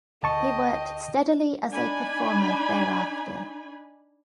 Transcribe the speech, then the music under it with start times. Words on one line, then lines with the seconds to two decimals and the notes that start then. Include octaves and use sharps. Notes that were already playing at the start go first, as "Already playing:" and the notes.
He worked steadily as a performer thereafter.
0.23 D2 D#5 G5 A5 C#6
1.70 D4 D#4 G#5 B5